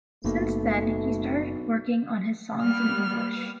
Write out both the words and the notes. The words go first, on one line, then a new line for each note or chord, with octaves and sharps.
Since then, he started working on his songs in English.
F#1 B1 A3 A#3
G3 A#3 B3 F6